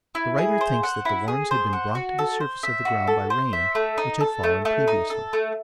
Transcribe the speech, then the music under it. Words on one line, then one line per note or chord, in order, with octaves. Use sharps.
The writer thinks that the worms had been brought to the surface of the ground by rain, which had fallen previously.
E4
G#4
C5
F#5
E4
G#4
C5
F#5
F#4
A4
C5
E5
F#4
A4
C5
E5
A3
D#4
A4
A3
A3
D#4
A4
A3